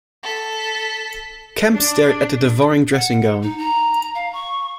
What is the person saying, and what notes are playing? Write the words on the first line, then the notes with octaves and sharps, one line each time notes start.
Kemp stared at the devouring dressing gown.
A4 B6
D4
F#5
D#4
A#5
F5
C#6